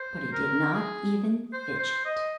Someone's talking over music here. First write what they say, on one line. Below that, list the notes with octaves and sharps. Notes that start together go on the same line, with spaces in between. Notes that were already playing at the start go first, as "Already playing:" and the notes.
But he did not even fidget.
Already playing: C5
A#4
G#4
C5
C5
D#5